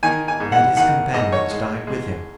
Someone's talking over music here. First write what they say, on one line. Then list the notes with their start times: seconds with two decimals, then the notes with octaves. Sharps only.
Had his companions died with him?
0.03 D#3 G#5
0.28 G#5
0.40 G#2
0.52 F#5
0.76 D#3 F#5
1.13 G#2 D#5
1.32 C#5
1.51 G#3
1.87 G#3